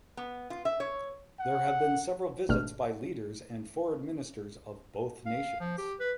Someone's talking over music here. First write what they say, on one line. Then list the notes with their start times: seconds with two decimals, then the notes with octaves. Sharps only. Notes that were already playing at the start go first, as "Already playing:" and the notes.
There have been several visits by leaders and Foreign Ministers of both nations.
0.17 B3
0.50 F4
0.65 E5
0.80 C#5
1.39 F#5
2.49 G#1 B2 A3 D4 F6
5.26 F5
5.60 F3
5.78 G4
6.00 B4